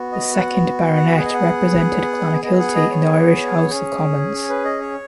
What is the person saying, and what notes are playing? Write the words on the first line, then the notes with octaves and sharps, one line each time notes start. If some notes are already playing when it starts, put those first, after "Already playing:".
The second Baronet represented Clonakilty in the Irish House of Commons.
Already playing: B3 F#4
D#5
F#5
F#5
B3 G#4 F#5
D#5
F#5
B3 G#4 D#5
F#5
D#5
C#5
C#4 G#4
C#5
B4
D#5
C#5